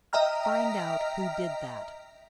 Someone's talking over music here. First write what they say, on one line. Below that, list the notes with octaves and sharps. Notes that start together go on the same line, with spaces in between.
"Find out who did that."
D#5 E5 G5 A#5 F6